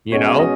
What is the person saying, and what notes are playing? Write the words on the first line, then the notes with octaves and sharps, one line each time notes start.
you know,
B2 G#3 C#4 F#4 C#5
D#5